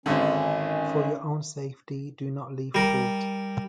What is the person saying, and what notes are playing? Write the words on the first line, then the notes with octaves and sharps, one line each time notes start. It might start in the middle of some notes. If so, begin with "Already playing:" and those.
For your own safety do not leave port.
G#1 D3 D#3 C#4
G3 A#4